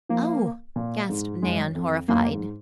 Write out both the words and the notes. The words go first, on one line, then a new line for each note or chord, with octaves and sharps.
"Oh!" gasped Nan, horrified.
F3 A#3
A#2
G#2
F#2 G#3
F2
F#2 A#3
G#2